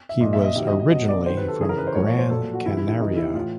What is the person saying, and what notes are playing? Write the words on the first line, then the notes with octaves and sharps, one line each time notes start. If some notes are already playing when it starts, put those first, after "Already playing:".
He was originally from Gran Canaria.
E5
A#2 F3 D#5
E5
D#5
C3 D#3 F#3 E5
D#5
D#5
B2 F#3 D#5
D5
C3 D#3 F#3 C5
B4
A4
C#3 E3 G#4
A#4
B4
C5
A2 F3 C#5
C#5
C5
A#2 F#3 A4
F#4
C3 E3 E4
E4
E4
C3 E3 D#4
E4
A2 E3 F4